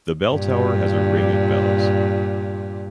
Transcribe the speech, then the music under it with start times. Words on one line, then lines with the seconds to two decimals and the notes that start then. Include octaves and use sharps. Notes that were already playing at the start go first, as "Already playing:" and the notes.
The bell tower has a ring of bells.
0.33 G2 A#2